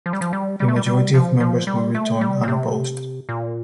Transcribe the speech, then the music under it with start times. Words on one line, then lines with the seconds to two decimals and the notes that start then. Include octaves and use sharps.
The majority of members were returned unopposed.
0.06 F3
0.13 G3
0.21 F3
0.33 G3
0.60 G3
0.68 A3
0.76 G3
0.86 G3
1.14 F3
1.40 F3
1.67 G3
1.95 A3
2.21 G3
2.43 A#2
2.48 C3
3.29 A#2